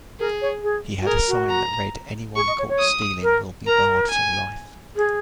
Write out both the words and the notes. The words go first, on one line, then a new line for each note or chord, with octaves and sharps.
He had a sign that read: "Anyone caught stealing will be barred for life".
G#4 A#4
C#5
G#4
F#4
G#4 A#4
F#4
A#5
G#4 C#6
D#5
C#5
C#5
D#6
A#4
A#4 A#5
G#5
G#4